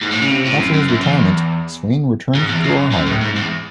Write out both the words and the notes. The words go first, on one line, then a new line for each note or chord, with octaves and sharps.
After his retirement, Swayne returned to Ohio.
G#2
A2
C#3
C3
A2
F#2
F#2
F#2
E2
G#2
E2
F#2
F#2
A2
G#2
E2